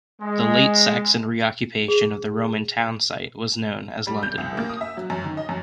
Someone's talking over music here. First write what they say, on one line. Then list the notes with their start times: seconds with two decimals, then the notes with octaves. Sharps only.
The Late Saxon reoccupation of the Roman town site was known as Lundenburgh.
0.22 G#3
1.88 G#4
4.07 G3
4.23 G6
4.38 C2
4.57 A#3
4.69 D#6
4.81 E5
4.97 F#3
5.10 F#2
5.24 D#3
5.37 D#5
5.49 F#2